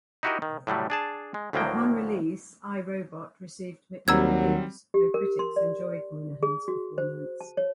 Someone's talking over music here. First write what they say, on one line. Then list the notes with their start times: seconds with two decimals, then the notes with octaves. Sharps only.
Upon release, "I, Robot" received mixed reviews, though critics enjoyed Moynahan's performance.
0.23 D#4 E4 F#4 G4 A#4 D#5
0.42 D#3
0.67 A2 F#3 G3 A3
0.90 D4 G#4 A5
1.34 G#3
1.53 D2 A2 F3 F#3 A#3 G5
4.08 D#2 F#3 G3 C4 A#5 E6 G#6
4.94 G4
5.14 A#4
5.39 C6
5.56 D5
6.43 G#4
6.68 F#4
6.98 C5
7.41 A5
7.57 C#5